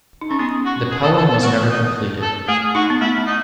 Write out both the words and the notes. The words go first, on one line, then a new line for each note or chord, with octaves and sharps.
The poem was never completed.
D#4
A3 C#4
G#3 B3
F#4
G#4
A4
A4
A4
B3
A3 F#4
D#4
A4
A3 G#4
D#4 F#4
B3
A3 E4
B3
D#4